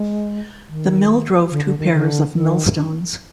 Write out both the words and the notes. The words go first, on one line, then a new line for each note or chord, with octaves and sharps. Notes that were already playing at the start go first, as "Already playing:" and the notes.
The mill drove two pairs of millstones.
Already playing: G#3
D#3
D3
D3
D#3
D3
D#3